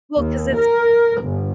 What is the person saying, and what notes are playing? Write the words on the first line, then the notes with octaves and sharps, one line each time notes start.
Well, 'cause it's
D#2
A#4
G1